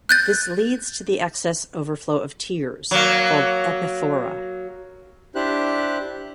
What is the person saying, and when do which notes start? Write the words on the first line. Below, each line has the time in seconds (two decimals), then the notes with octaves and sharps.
This leads to the excess overflow of tears called "epiphora".
0.09 F#6 G6 A6
2.91 F#3 A#3
5.35 D4 E4 G4 C5 F#6